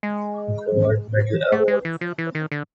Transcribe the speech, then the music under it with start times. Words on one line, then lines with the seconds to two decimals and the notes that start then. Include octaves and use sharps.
Gold Medal Award.
0.03 G#3
1.52 A3
1.68 G#3
1.85 E3
2.01 F3
2.18 E3
2.35 D#3
2.52 D3